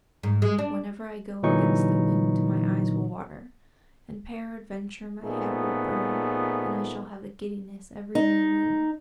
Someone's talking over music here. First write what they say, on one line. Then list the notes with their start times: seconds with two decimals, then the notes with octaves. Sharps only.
Whenever I go against the wind my eyes will water, and peradventure my head will burn, and I shall have a giddiness every new moon.
0.23 G#2
0.42 G#3
0.59 D4
1.43 A#2 D3 E3 F#3 D#4 C#6
5.24 A#2 F3 A3 B3 D#4 G#4
8.15 D#4